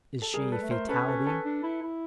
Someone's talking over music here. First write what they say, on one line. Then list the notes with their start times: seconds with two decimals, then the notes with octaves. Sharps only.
Is she Fatality?
0.22 A4
0.34 G3 G#4 A#4
0.52 A4 B4
0.62 A3
0.71 A#4 C5
0.89 C#4 A4 B4
1.08 A4 B4
1.26 A4 B4
1.45 D4
1.63 E4
1.82 E4